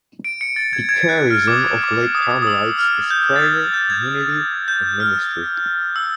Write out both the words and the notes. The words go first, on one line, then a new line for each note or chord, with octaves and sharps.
The charism of Lay Carmelites is prayer, community, and ministry.
D7
C#7
A6
G#6
G#6
F#6
F6
D6
D#6
D6
D#6
D#6
E6
F6
G6
A6
G#6
G6
G#6
G6
F6
E6